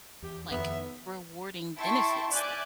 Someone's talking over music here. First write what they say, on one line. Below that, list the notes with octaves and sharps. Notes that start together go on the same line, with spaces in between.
like, rewarding benefits though.
E2 G4
F2 D#3 B3 E5
E4 G5 A5 C6 C#6
D5 E5 G#5 D6 F#6 G6